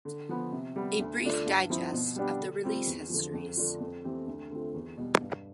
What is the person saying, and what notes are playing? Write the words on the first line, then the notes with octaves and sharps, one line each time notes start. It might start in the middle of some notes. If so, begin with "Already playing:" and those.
A brief digest of the release histories.
D3
F3 B3
C3
G3 B3
D2
D3 A3 D4 F4
G2
F3 C4 E4
B2
G3 B3 D4 G4
D3
G3 C4 F4
E2
D3 F3
F2
D3 A3 D4 F4
F2
E3 A3 C4 G4
D2
D3 A3 C4 F4
E2
B2 G3
G2